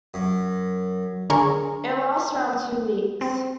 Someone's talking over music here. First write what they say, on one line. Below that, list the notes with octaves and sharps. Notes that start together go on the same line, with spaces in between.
It lasts around two weeks.
F#2
D3 G#4 A#4 C#5 C#6
C4